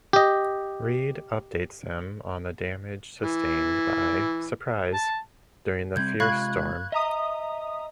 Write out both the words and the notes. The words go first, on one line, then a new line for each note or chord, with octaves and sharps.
Reade updates them on the damage sustained by "Surprise" during the fierce storm.
G4 D#5
E3
A5
C3 G3 C4 G6 G#6
C3 G#3 F4 F5 B5 C#6 F#6 G#6
D#5 E5 A#5 D#6